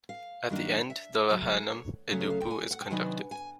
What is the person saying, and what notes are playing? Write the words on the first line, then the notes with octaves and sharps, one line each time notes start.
At the end the Vahanam eduppu is conducted.
F5
G2 D#3 F#3 A#3 D4
E5
D2 C#3 F#3
C#5
D2 C#3 F#3 A3 C#4
C#5
F5
G5
G#5
F#5
G5
C3 D#3 F#3 B3 D4 G#5
G#5